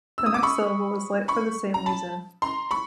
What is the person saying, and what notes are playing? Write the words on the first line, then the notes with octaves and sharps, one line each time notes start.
The next syllable is light for the same reason.
E6
D#6
D6
B5 C#6
B5 C#6
A#5
A5 B5
A#5 C6
B5 C#6